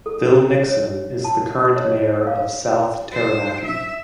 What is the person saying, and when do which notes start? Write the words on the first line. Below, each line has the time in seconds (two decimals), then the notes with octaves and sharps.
Phil Nixon is the current mayor of South Taranaki.
0.06 A4
0.64 C#5
1.24 A5
1.63 D#5
1.77 C#5
1.98 C#5
2.27 F5
3.12 C5
3.64 E5